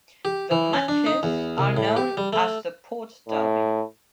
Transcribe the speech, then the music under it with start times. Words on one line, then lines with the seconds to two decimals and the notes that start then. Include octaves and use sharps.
Their matches are known as the "Port Derby".
0.25 G4
0.51 E3
0.73 C#4
0.88 D4
1.06 D#4
1.23 E2
1.58 C2
1.77 A2
1.97 G4
2.17 G3
2.33 A3
3.29 A2